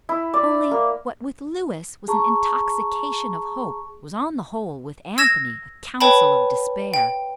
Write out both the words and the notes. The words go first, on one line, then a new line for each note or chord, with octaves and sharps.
Only what with Louis was an intoxication of hope, was on the whole with Anthony a counsel of despair.
E4
D5
A#3
G#4 A5 A#5 C#6
E6 G#6 A#6 E7
B4 C#5 G5 A5 B5
G5